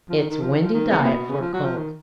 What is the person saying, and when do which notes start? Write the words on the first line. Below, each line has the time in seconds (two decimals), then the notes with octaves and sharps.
It's windy diet for a colt.'
0.09 F3
0.18 D#3
0.30 D#3
0.41 F3
0.52 D#3
0.64 F3
0.74 D#3
0.91 C#3 B3
0.99 A#3
1.04 B2 B3
1.16 B2
1.29 C#3
1.41 F3
1.53 F#3
1.65 F3
1.78 D#3